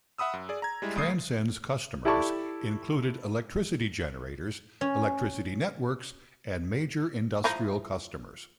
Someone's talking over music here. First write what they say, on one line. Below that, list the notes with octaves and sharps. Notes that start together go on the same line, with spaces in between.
Transend's customers included electricity generators, electricity networks and major industrial customers.
E5 F#5 B5 D#6 E6
F#2
G#4 D5
A#5 G#6
G3 G#3 E4
C2 A3 D#6 C7
E4 G4 A4 D5 A5 C#6
C#4
F3 D#4 E4